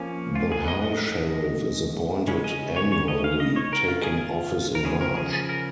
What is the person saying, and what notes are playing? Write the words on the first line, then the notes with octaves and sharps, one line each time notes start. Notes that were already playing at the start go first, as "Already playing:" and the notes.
The High Sheriff is appointed annually, taking office in March.
Already playing: F3 A#3 C#4
F4
G#4
D#5
D#5
C#3 G#3 C#4
D#5
C#5
C#5
D#5
F5
D#5
C#5
A#4
F4
G#4
F4
A#4
C#3 F3 C#4 G#4
A#4
G#4
G#4
A#4